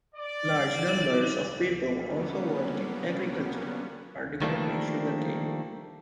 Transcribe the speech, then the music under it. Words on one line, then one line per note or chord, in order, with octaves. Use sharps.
Large numbers of people also work in agriculture, particularly sugarcane.
D5
D3 F#3 G3 A#3 B3 C#4
D#3 F3 G3 A3 A#3 D4